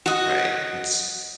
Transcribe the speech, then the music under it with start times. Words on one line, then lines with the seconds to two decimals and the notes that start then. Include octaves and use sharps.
Right. That's
0.06 F#4 D#5